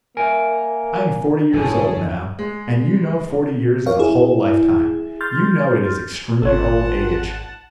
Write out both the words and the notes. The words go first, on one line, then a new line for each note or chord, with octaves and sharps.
I am forty years old now, and you know forty years is a whole lifetime; you know it is extreme old age.
A#3 A#4 E5 G#5
G1 D3 E3 C#4 G#4 A4
G#3
A#4 C#5 F5
E4 G#4
C6 F6 G6 A6
G#1 F4 A4 C#5 F#5 A5